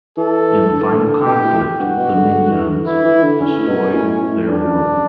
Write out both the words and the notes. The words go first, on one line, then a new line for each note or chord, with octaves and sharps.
In the final conflict, the Minyans destroyed their world.
E3 A4
D3
E3
D3
B2 G4
A2
G2 F#4
B2
D3
D3
E3
D3
E3 E4
E3
D3
D3 C#4
A2
B2
A2
A2
G2 D4
F#2
F#2